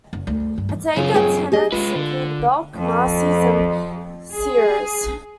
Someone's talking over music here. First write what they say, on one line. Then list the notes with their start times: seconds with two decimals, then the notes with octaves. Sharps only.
Its anchor tenants include Belk, Macy's, and Sears.
0.13 F#1
0.27 D2
0.58 G2
0.69 E2
0.96 F#2 C#3 F4
1.14 G#4 C#5 G5
1.52 G4 G#4 D#5
1.72 G#3 F4 B4
1.95 D3
2.75 F2
4.32 G#4